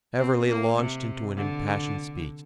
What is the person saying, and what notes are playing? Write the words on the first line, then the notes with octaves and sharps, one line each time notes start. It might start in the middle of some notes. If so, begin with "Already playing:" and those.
Everley launched into an impassioned speech.
C4
A#3
C3
D3